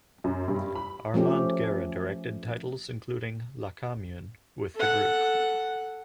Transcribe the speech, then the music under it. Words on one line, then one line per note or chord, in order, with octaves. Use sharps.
Armand Guerra directed titles including "La Commune" with the group.
F#2
G2
B5
F3 A3 C#4 G4
A4 F#5